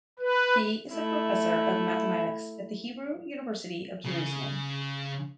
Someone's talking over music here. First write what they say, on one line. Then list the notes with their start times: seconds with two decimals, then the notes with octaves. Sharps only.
He is a Professor of Mathematics at the Hebrew University of Jerusalem.
0.19 B4
0.92 A3 E4
4.04 C#3